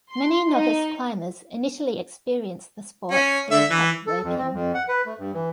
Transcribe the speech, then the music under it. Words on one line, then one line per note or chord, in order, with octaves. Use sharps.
Many novice climbers initially experience the sport through top-roping.
C6
D#4
C#4
D3 E5
E3
A4
F2
C4
F2
F#5
B4
A3
G2
E3